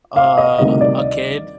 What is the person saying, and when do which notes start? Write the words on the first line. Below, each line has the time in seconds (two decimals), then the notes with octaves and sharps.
Uh, a kid,
0.16 F5
0.38 D#5
0.59 D2 C3 D#3 G3 D#5
0.81 D5